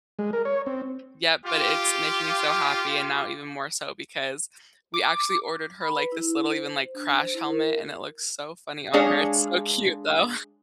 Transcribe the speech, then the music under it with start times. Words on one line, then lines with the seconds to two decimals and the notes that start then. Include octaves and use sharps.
yep, but it's making me so happy and now even more so because we actually ordered her like this little even, like, crash helmet and it looks so funny on her, it's so cute though.
0.19 G#3
0.33 A#4
0.45 C#5
0.66 C4
1.45 F4 G4
4.94 D6
5.81 B5
5.97 B4
6.12 E4
6.50 C5
6.94 D4
7.19 C5
7.34 E4
7.49 A#4
8.93 G#3 D4 G#4 C#5 F5